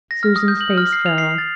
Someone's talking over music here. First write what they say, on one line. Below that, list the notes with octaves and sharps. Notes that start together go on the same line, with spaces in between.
Susan's face fell.
A#6
F6
D#6
G6
F#7
F6
C7
F7
C7
A6